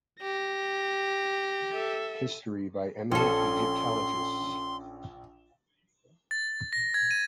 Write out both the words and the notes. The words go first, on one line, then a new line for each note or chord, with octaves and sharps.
History by Eminent Egyptologists.
G4 A#6
A4 E5
A#1 C#4 A4 C6
A6
A#6
G#6
D#7